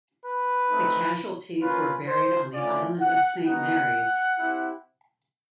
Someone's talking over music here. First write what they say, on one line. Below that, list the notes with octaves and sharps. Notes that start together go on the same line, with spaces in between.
The casualties were buried on the island of Saint Mary's.
B4
A3 C4 D#4
A#3 C#4 F4 B4
C5
A3 C#4 F4 D5
F#5
B3 D#4 F#4 F#5
C4 E4 G4